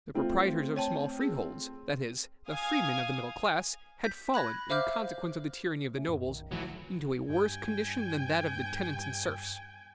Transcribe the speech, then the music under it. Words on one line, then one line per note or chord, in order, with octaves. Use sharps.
The proprietors of small freeholds, that is, the freemen of the middle class, had fallen, in consequence of the tyranny of the nobles, into a worse condition than that of the tenants and serfs.
A3 C4 F4
C#5 G5 A5
G#4
F5 G#5 D#6
G6 B6
B5 F#6 G#6 A#6
C5 E5 F5 D6 F6 G6
A3 C#4
F#2 A#2
B1 D#3
G#1 E3 F#3 A3
G2 G5 G#5